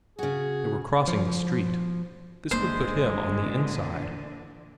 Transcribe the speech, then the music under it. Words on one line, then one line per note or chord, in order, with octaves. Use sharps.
They were crossing the street. This would put him on the inside.
C#3 F#4 G#4
F3
F#1 A#2 D3 E3 G#3 A#3 D4 C5